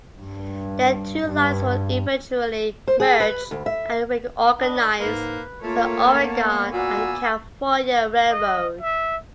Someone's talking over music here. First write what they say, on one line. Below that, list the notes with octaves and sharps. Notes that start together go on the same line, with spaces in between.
The two lines would eventually merge and reorganize as the Oregon and California Railroad.
G2
G2
C5
G#4
B4
D2
E5
D4 B4 D#5
G#2 A#3 B4
A3 A#3 F4 A#4 C#5 A5
B3
A#2 B3 F#4 D5 G#5 E6
D#5
E5